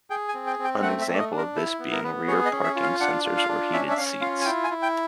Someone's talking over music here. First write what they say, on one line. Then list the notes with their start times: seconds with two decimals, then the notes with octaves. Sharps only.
An example of this being rear parking sensors or heated seats.
0.10 G#4 G5
0.29 G#5
0.34 C4
0.47 G5
0.59 C4
0.64 G5
0.82 A3 F#5
1.01 E5
1.07 A3
1.14 D5
1.19 D#5
1.31 D4
1.37 A#4
1.56 E4 A4
1.79 B3
1.92 A#4
2.04 B3 B4
2.28 G#4 C#5
2.45 D#5
2.52 C#4
2.64 E5
2.76 F4
2.83 F5
3.00 D4 F#5
3.25 F4
3.37 F5
3.49 D4
3.73 C#4 E5
3.91 E5
3.97 C#4 F5
4.21 F4 F5
4.41 G#5
4.45 E4 G5
4.64 G#5
4.70 E4
4.82 G5